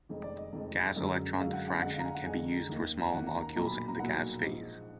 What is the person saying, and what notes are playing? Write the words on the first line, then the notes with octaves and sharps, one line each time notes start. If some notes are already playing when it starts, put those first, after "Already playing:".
Gas electron diffraction can be used for small molecules in the gas phase.
F1 F2 D#3 G#3
D5
D#5
F1 F2 D#3 G#3
F#2 D3 G#3
F#2 D3 G#3 F5
F#5
F#5
F2 D3 G#3 F#5
F5
A#5
G#5
F#5
F2 D3 G#3 G#5
D#2 D#3 A#3
D#2 D#3 A#3 F#5
A#5
A#5
B1 A#2 F#3 A#3 A#5
B5
B5
A#5
B1 A#2 F#3 A#3 F#5
A#1 G#2 F3